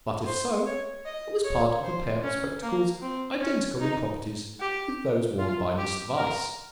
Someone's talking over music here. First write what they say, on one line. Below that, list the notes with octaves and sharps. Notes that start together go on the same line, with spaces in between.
But, if so, it was part of a pair of spectacles identical in properties with those worn by Mr. Weiss.
C5
C#5
D#5
C#5
C5
C#4
A#3
C4
C#4
D#4
G4
F4
G4
A#4